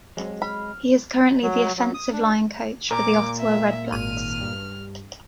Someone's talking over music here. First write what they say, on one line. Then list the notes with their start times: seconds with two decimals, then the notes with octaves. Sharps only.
He is currently the offensive line coach for the Ottawa Redblacks.
0.17 F#3 G#3 C4
0.42 B5 F6
1.43 F#3
1.77 F#3
1.94 D#6
2.13 D4
2.91 A#2 A#4 A#5 D6
3.40 E5
3.92 G#1 F6 D#7
4.41 G2